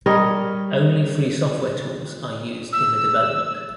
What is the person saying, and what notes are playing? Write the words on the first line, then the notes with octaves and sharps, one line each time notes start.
Only free software tools are used in the development.
G3 A#4 C#5 D#5
E6